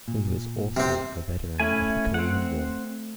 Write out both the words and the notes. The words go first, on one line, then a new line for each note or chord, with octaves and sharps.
He was also a veteran of the Korean War.
A#2
C3 C4
A3 C#4 E4 G#5
C4 F#5